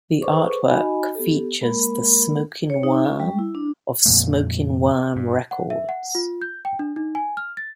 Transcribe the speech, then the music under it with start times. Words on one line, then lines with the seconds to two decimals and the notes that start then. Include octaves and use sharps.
The Artwork features the Smokin' Worm of Smokin' Worm records.
0.22 G#4 A4 B4 C5 C#6 D6
0.69 D#4 F#4 D#5 G#5 B5
1.15 B3 G4 A4
1.61 G#3 A#3 A#4 B5
2.70 C#5
2.83 D#4
3.05 C#4
3.20 G3
3.39 E4
3.55 D4
4.06 F2 A#2 A3
5.16 G2
5.51 F#5
5.70 E5
5.89 F#5
6.15 F4
6.42 G6
6.65 G5
6.79 D4
6.96 D#4
7.15 G#5
7.37 F6
7.57 A6